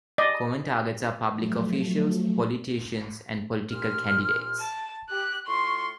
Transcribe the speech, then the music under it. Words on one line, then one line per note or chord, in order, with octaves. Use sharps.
Common targets are public officials, politicians, and political candidates.
D5 D#5
F3 F#3 A3
C2 A#2 F6
A5
G4 F#6
A2 F4 C6 C#6